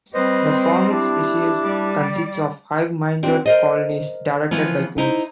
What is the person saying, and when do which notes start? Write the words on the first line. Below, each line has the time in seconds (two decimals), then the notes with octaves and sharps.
The Formic species consists of hive-minded colonies directed by queens.
0.14 G3 C4 B4 C5 D#5
0.90 D4 E4 G4 A5
1.63 G3 D5
3.23 C4 D4 F#4
3.46 A#4 C5 D#5
4.51 E3 F3 B3
4.98 D#4 E4 C5